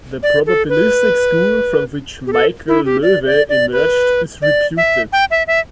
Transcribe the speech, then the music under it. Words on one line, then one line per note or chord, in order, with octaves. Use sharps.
The probabilistic school from which Michel Loève emerged is reputed.
D5
A4
B4
G4
A4
E4
G4
D5
D5
D5
B4
D5
E5
G5
E5
E5